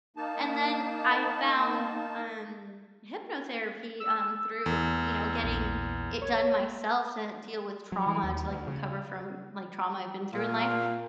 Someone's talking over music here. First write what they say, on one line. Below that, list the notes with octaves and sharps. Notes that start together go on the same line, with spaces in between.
And then I found, um, hypnotherapy, um, through, you know, getting it done myself to deal with trauma to, like, recover from, like, trauma I've been through in life,
A#3 D#4 A5
E6
E2
A#1
C#5
F#3
E3
D#2
D2
C#3
A#2 F5